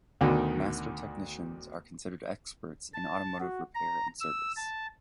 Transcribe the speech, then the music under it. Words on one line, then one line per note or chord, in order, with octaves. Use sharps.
Master Technicians are considered experts in automotive repair and service.
D2 B2 D3 D#3
A5
F#4
A#5
E6
A5